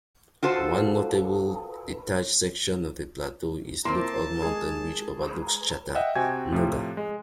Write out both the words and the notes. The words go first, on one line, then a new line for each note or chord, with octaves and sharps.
One notable detached section of the Plateau is Lookout Mountain, which overlooks Chattanooga.
F4 F#4 A4 C5
A#3 C4 E4 A#4 C5 A5 C6
G#3 G#4 G#6
D#5 E5 F#5 G5
C3 C4 F#4 G5 G#5 G#6
A2 C3 F3
G#3